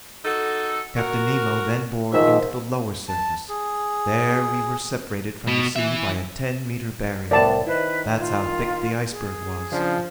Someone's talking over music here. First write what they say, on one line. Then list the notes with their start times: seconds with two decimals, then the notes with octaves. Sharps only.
Captain Nemo then bored into the lower surface. There we were separated from the sea by a ten-meter barrier. That's how thick the iceberg was.
0.25 D#4 F#4 A4
0.97 F#4 A#4
2.13 G#2 D#3 F3 E5
3.09 A5
3.49 G#4
5.47 B2
5.76 E3 E5
7.31 C2 A2 B3 D5 A5
7.67 D#3 E4 B4 C5 D#5
8.19 F4
9.11 G#4
9.72 C#3 F3 D4 A#5